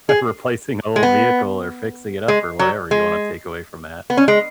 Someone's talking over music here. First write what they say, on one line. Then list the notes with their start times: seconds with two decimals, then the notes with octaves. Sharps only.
replacing an old vehicle or fixing it up or whatever you wanna take away from that.
0.09 G#4
0.96 G#3
1.03 B3
2.28 G#3
2.59 F#3
2.91 G#3
4.10 B3
4.17 C#4
4.28 G#3